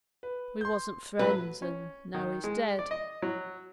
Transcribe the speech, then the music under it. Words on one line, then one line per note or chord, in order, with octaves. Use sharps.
We wasn't friends; and now he's dead.'
B4
C6 G6
A2 F#3 A3 B4
C#4
D#3
G#3
D5
D#5
F#3